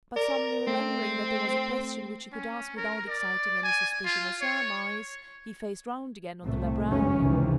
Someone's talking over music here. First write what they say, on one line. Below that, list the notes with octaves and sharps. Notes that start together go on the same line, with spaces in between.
But suddenly remembering that there was a question which he could ask without exciting any suspicion or surmise, he faced round again on the librarian.
A#4 D5
A3 C4
C#4
A#4
D5
G#5
F4
C#5
C2 A2 C3 A3
F1 C#2 F#2 C#3 F#3 C#4
C#2 C3 D#3 E3